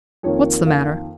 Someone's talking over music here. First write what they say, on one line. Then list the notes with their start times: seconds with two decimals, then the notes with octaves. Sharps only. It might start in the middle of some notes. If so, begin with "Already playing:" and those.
"What's the matter?"
0.23 F2 D#3 A#3 C#5
0.66 F5